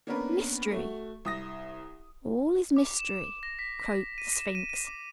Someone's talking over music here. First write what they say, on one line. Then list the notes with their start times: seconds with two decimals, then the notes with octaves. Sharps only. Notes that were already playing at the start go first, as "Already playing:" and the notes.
"Mystery, all is mystery," croaked the Sphinx.
0.07 A#3 B3 C#4 D4 A#4 B4
0.71 A3 F#4
1.25 C2 D#6 A#6
2.77 D6
2.99 E7
3.43 A#6
3.59 B6
3.79 B6
4.18 D#7
4.38 E7
4.55 D#7
4.69 D#7
4.87 D6